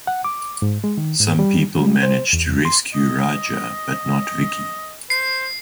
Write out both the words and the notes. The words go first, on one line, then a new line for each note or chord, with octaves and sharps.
Some people manage to rescue Raja but not Vicky.
F#5
D6
G#2
G#3
D#3
G#2
G3
G3
C5
E2
C6
D#5
C5 C7